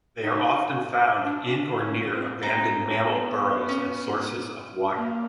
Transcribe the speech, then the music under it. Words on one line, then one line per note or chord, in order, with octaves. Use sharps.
They are often found in or near abandoned mammal burrows and sources of water.
D#4
D4
C#4
C4
C4 D#4
B3
C#4
A#3